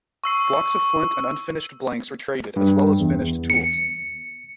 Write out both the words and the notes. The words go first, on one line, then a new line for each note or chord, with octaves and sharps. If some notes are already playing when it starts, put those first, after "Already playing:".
Blocks of flint and unfinished blanks were traded, as well as finished tools.
C#6 E6 C7
G2
E2
C#7